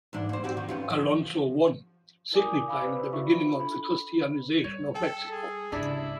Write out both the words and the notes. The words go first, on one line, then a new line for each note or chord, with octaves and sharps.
Alonso won, signifying the beginning of the Christianization of Mexico.
G#2 E3 D4
A#3 C5
C4 F#4 G4
D#3
B3 C#4 F4
F3
E4 A#4 D5 G#5 D6 D#6
F5 G#5 B5 D6 E6
G4 B4 C5 D5
E4 F#4 E5 C#6
F4 B5
D4 A4 B5
G3 C#5
A4 G5
G#4
G#2 C#3 D4 E4 G4 D5